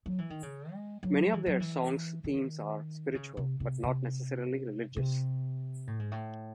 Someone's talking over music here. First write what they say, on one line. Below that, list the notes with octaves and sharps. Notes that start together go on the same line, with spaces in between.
Many of their songs' themes are spiritual, but not necessarily religious.
F#3
E3
D#3
C#3
G#3
F#3
E3
F#3
E3
D#3
C#3
C3
C3
C3
C3
A2
G#2
A2